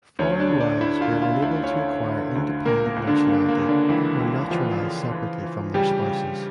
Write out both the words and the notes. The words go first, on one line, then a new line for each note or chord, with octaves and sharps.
Foreign wives were unable to acquire independent nationality or naturalize separately from their spouses.
D2 C#4 C#5
D4 D5
D3
D4 D5
D3 E4 E5
F4 F5
D2
F4 F5
D2 E4 E5
C#4 C#5
D3
D3
D2
C#2 A#3 A#4
A#3 A#4
C#2
D3 D4
C#3 A#3
A#3
C#3
D3 D4
C#2 E3 E4
C#2
E3 F3 F4
C#3
E3
E3
C#3 G3 G4
C#3